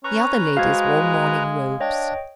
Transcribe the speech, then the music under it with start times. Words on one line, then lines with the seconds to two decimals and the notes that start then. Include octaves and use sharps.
The other ladies wore morning robes.
0.04 C#4 B4 A#5 C#6
0.57 G#3 F#4 C5 F5 G#6
1.80 D4 C#5 D#5 G5